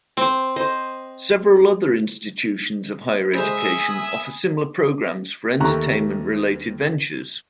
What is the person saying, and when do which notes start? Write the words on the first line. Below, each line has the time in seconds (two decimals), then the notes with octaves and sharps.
Several other institutions of higher education offer similar programs for entertainment related ventures.
0.17 C4 C5
0.56 C5 D#5
3.34 G#3 C5 E5 G#5 B5 D#6
5.60 D#2 A3 G4 A#5 C#6 F#6